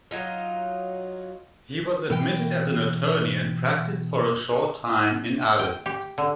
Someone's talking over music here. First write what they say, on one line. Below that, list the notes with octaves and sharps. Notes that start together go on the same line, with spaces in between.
He was admitted as an attorney and practiced for a short time in Alice.
F#3 D#4 F4
B2 E3 G5
G5
G4
D3